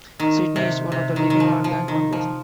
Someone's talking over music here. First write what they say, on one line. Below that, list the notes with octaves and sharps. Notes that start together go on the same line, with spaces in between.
Sidney is one of the living "Our Gang" members.
D#3
C3
C3
D#3
D#3
F3
F3
D#3
F3